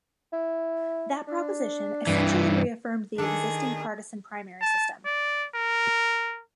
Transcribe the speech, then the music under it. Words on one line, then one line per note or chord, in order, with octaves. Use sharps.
That proposition essentially re-affirmed the existing partisan primary system.
E4
D4
G2 E3
D#3 D4 G#4 A4
A5
D5
A#4